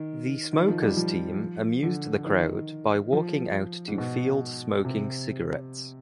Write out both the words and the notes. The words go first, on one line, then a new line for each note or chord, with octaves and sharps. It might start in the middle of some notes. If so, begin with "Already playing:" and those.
The Smokers team amused the crowd by walking out to field smoking cigarettes.
Already playing: D#3
D#3
F3
G3
F3
D3
D#3
F3
G#2
B2
C3